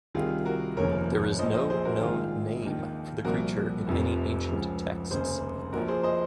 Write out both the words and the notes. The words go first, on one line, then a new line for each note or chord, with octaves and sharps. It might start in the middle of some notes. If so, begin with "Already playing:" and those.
There is no known name for the creature in any ancient texts.
C2 C3 D#3 F4 G#4
F#4 A#4
F1 D#2 C#3 F3 A#4 C#5
A#1 A#2 F3 C5 D#5
C5 D#5
G#4 C5
F#4 A#4
A#1 G#2 D#3 F4 G#4
D#2 D#3
C2 A#2 F3 F#4 A#4
F1 F2 C3 F3
C#2 C#3 F3
F1 D#2 C#3 G#4 C5
A#1 A#2 F3 F#4 A#4
G#4 C5
C5 D#5